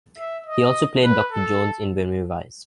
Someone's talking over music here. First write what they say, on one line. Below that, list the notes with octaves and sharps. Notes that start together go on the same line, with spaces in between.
He also played Doctor Jones in "When We Rise".
E5
D#5
B4
A4